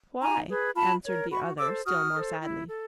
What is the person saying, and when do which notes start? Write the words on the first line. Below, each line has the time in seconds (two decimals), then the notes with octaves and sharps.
"Why?" answered the other, still more sadly.
0.21 D#4 G#5 A#5
0.48 G#4 B4
0.76 F4 A5 B5
1.03 A#4 C#5
1.31 F#4 B5 C#6
1.58 A4 C5 D6 E6
1.85 F#4 D#6 F6
2.13 A4 C5
2.41 E4
2.68 A4